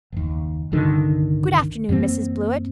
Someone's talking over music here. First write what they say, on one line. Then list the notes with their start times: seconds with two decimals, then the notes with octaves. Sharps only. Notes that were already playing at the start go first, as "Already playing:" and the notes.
Good afternoon, Mrs. Blewett.
0.12 F#1 D#2
0.72 G1 C2 D3 D#3
1.89 F#2 E3 A#3 C4